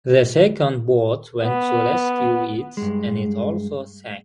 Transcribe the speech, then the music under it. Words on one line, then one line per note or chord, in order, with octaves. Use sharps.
The second boat went to rescue it and it also sank.
B3
G2 G#3